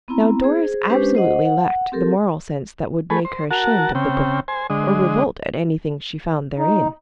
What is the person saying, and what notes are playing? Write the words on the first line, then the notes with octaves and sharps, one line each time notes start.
Now, Doris absolutely lacked the moral sense that would make her ashamed of the book, or revolt at anything she found therein.
B3 C4 E4 A#5
G#4 C5
G#3 C#4 D4 G4 B4 C5
C5 D#5 F#5
F#5
C4 G4 A4 A#4
A3 G#4 B4
C5
F#4 A#4 F#5 A5
C#3 C4 G5
C5 G#5
D3 G#3 D#5
D#4